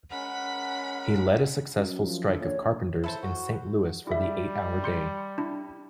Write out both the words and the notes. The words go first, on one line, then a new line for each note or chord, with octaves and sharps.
He led a successful strike of carpenters in Saint Louis for the eight-hour day.
G#3 C#4 A#4 F#5 B5
F#2
F3
D3
A#1 C#5
E4 A4 C5
F#4
G3 E4 G#4 E5
C6 G6 C#7
D4 E4